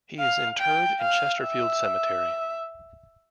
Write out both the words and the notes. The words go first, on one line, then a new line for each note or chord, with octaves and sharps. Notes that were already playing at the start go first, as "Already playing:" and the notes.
He is interred in Chesterfield Cemetery.
F5
G5
F5
E5